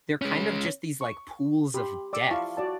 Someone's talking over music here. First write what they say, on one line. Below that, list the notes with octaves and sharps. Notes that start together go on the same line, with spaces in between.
they're kind of just these, like, pools of death,
G#3 C#4
C#6
G4 B5 C6
D5 D6 E6
E4 F4 F5 A5 C#6
F#4 D5 A5